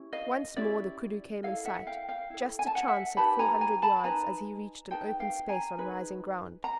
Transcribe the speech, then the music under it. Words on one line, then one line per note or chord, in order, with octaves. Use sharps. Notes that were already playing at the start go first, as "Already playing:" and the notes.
Once more the koodoo came in sight--just a chance at four hundred yards as he reached an open space on rising ground.
Already playing: C#4 E4 G4
D#5 F5
C#4 E4 G4 D5 E5
E4 A4 D#5 F5
E5 F#5
F5 G5
F5 G5
E4 A4
G#5
A5
F#5 G#5
E5 F#5
D#4 G4 B4 A5 B5
G#5 A#5
G#5 A#5
A5 B5
D#4 G4 B4 G#5 A#5
D#4 G#4 B4 G5 A5
F5 G5
G#5 A#5
D#4 G#4 B4
A#5